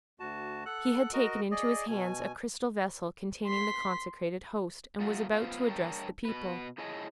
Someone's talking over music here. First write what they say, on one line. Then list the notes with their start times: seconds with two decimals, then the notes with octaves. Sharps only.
He had taken into his hands a crystal vessel, containing the consecrated Host, and was about to address the people.
0.20 D2 F#4 A5
0.66 A4 F#5 F#6
1.13 F#4 A#4 D#5
1.51 G#4 D5 D#5
1.88 B2 G#5
3.47 C6 B6
5.00 A#2 F#3 A3 F4 F#4
5.32 B3 F4 C5 F5
5.68 G2 A#4 C#5 G5 A5
6.25 B2 B4
6.78 E4 G#4 C#5 D#5 G#5 A5